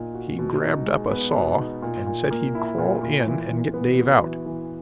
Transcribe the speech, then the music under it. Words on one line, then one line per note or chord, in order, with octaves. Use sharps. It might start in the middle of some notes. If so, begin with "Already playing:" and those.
He grabbed up a saw, and said he'd crawl in and get Dave out.
Already playing: A#2 A#3 D#4
F#4
B2
D#4
G#3
B3
B2
D#4
A#2
A#2
A#3
E4
A#2
A#2
E3
E3
B3
F#4
E3
E3